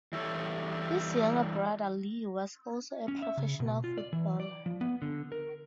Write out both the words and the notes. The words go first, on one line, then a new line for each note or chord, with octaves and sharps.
His younger brother, Leo, was also a professional footballer.
E3 G3 A4 C#5
C#4
E5
C#3
B2
F4
D5
E3
D5
F3
B3
D3
A#4